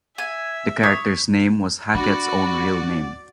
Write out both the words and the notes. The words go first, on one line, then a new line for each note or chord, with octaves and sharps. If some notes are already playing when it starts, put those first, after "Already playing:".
The character's name was Hackett's own real name.
E5 G#5
C#5 D#6 B6
D4 F#4 D5 B5